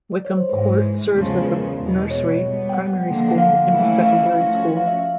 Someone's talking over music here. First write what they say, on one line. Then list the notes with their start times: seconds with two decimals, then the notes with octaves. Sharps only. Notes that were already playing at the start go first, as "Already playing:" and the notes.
Wickham Court serves as a nursery, primary school and secondary school.
0.12 D5
0.25 C#5
0.37 C5
0.49 G#2 E3 G#3 B4
1.14 E2 C#3 F3 G#3
1.46 B4
1.55 A#4
1.63 B4
1.78 E2 B2 G#3 B3
2.11 C#5
2.42 B2 G3 B3
2.69 G5
2.74 F#5
3.06 D3 F3 A#3
3.31 F#5
3.38 F5
3.70 E3 A3 C#4 E4
4.03 F5
4.34 F3 A3 C#4 F#4
4.77 F5
4.87 E5
4.99 E5